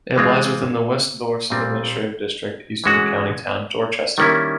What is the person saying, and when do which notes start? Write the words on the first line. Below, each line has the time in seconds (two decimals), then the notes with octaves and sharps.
It lies within the West Dorset administrative district, east of the county town Dorchester.
0.16 E3 G#3 C4 F4
1.50 A#2 G3 C4
2.84 E3 G#3 C#4 F#4
4.18 D#3 G3 A#3 C#4 E4